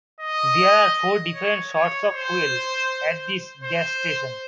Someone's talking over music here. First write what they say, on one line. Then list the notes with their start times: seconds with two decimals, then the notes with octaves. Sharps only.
There are four different sorts of fuel at this gas station.
0.20 D#5
1.35 C#5
1.73 C#5
2.12 C5
3.64 C5